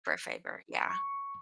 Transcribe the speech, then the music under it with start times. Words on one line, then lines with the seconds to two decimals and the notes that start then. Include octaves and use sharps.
For a favor, yeah.
0.89 C#6